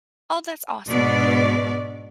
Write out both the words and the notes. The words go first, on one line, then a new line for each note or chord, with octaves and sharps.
Oh, that's awesome.
G#2 B2 B3 D4 D5